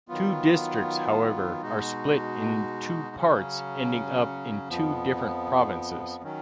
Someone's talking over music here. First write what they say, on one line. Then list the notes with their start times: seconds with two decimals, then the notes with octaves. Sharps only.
Two districts however are split in two parts ending up in two different provinces.
0.08 D#3 F#3 B3 F4
1.62 B2 G#3 D#4 F#4
3.16 C#3 F#3 C#4
4.69 F2 F3 B3
6.23 D#3 F#3 C#4